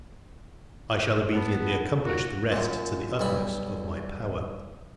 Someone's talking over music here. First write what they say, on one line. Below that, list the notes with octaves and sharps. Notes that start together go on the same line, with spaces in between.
I shall obediently accomplish the rest to the utmost of my power.
B3 F#5 A5 B5
D#3 F3 A#3 F#4
F#2 A#2
B1 G2 G#5 B5